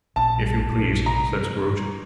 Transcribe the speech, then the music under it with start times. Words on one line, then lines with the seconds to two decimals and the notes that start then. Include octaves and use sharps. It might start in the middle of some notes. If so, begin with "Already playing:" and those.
'If you please,' said Scrooge.
0.16 A#1 A5
0.39 G3
0.62 A#1
0.83 G3
1.06 C3 A#5
1.29 G3
1.50 G3
1.73 G3